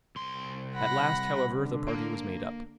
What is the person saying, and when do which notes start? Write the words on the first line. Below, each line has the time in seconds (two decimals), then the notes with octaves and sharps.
At last, however, the party was made up.
0.16 C2 C6
0.74 F#5 B5 A#6
1.56 D3
1.88 A#3